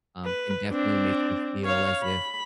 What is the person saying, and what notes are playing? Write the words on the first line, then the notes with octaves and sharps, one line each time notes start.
um, can definitely make you feel as if,
B4
C4 D4
C#5 F5
B5